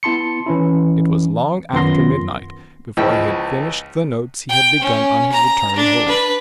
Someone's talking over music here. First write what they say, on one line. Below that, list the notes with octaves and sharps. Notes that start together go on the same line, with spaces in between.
It was long after midnight before he had finished the notes he had begun on his return home.
B3 E4 A5 C6 C#7
E3 C#4 E4
F#2 D#3 B3 F4 C6 A#6
C#2 F3 G#3 E4 G5
G5
C#4
A#5
D4
B4